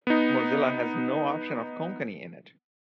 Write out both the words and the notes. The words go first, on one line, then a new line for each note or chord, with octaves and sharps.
Mozilla has no option of Konkani in it.
B3 D#4